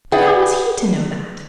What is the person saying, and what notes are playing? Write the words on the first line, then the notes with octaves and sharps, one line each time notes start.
But how was he to know that?'
G#4 B4 D5 F#5 G5